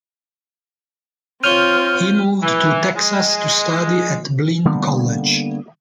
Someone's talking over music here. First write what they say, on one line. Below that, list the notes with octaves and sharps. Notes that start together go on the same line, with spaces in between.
He moved to Texas to study at Blinn College.
C4 F4 C#5 F6 G6 D#7 G7
E3
G#3
D3 G3 A#3 B3